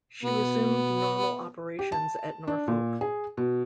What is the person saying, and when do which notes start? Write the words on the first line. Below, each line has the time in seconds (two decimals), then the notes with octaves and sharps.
She resumed normal operations at Norfolk.
0.23 B2 B3
1.79 G4
1.92 A5
2.47 D4
2.68 A#2
3.01 G#4
3.37 B2